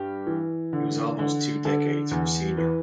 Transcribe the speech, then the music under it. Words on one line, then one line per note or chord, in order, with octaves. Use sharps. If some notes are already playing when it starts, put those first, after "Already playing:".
He was almost two decades her senior.
Already playing: G2 G4
E3
D3
D3
D3 A4
E2
E3 B4